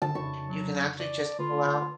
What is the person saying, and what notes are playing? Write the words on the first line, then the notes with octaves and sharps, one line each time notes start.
you can actually just pull out
D3 A5
F2 C#3 D#4 C#6
F#3
D5
D3 A3 F4 B4